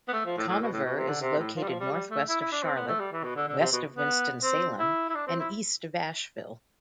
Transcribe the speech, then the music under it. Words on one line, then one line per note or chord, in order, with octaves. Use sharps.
Conover is located northwest of Charlotte, west of Winston-Salem, and east of Asheville.
B3
A3
F3
A2
A2
B2
A2
B2
C3
D3
C3
A2
F3
G3
F3
G3
G3
A3
E4
E4
D4
C4
B3
A3
G3
E3
B2
D3
D3
C3
B2
B3
C4
E4
E4
D4
C4
E4